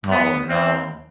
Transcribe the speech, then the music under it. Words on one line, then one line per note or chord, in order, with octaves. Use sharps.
Oh no.
B3
C4